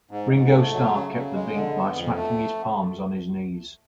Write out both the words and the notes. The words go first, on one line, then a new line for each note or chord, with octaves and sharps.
Ringo Starr kept the beat by smacking his palms on his knees.
G#2
G#2
A3
F#3
C#3
C#3
G#3
D3
B3
F2
A3